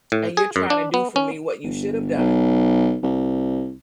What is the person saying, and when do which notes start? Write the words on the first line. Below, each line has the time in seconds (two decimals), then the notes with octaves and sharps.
and you're trying to do for me what you should have done
0.12 A2
0.37 G#4
0.56 F#2
0.70 D4
0.94 B3
1.16 C#4
1.63 G1
2.17 B1
3.03 C2